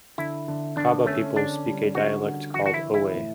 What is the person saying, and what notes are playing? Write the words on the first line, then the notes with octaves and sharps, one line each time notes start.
Kabba people speak a dialect called Owe.
D3 E4
D3
D3 D4
A3 C#4
D3 D4
G3
D3 F#4
D3
E3 F#4
F#4
E4
E3
E4
A2